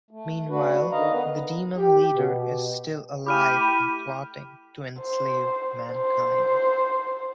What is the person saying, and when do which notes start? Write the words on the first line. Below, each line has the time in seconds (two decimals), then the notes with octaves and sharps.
Meanwhile, the Demon leader is still alive and plotting to enslave mankind.
0.11 A3
0.49 A3 D4 F#4 B4
0.92 D3 D#3 D#5 F5 A#5
1.12 B3 B4
1.78 G4
2.15 B2
3.27 A3 E4 G4 B5 D6 F6 D#7
5.00 C5
5.93 C5